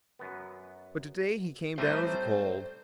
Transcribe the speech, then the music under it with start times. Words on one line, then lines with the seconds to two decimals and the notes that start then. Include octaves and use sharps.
But today he came down with a cold.
0.19 F#2 B3
1.78 A2 G3 A3 C4 D#4 B4 C5